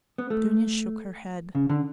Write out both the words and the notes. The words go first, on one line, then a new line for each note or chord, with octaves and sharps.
Dounia shook her head.
B3
A3
C#3
D3